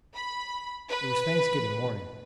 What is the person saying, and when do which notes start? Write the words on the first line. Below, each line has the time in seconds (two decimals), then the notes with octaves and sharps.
It was Thanksgiving morning.
0.16 B5
0.90 B4